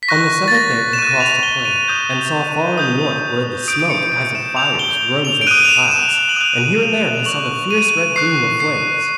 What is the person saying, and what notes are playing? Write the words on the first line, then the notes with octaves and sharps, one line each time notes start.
On the seventh day he crossed a plain, and saw far in the north where the smoke as of fires rose into the clouds, and here and there he saw the fierce red gleam of flames.
B6
C#6 F#6 A#6
A6
A#6
E7
C#6 F#6 D#7
F7
G7
D#7
D#6 G6
D#6 G6
D#6 G6 D7
D7
C#7
D7
E7
D#6 G6 F7
G7
F7
D7
D#6 F#6 D#7
F7
E7
E7
F#7
D#6 F#6 F7
F7
C#6 F#6 F#7
D#7
C#6 F#6 C7
C7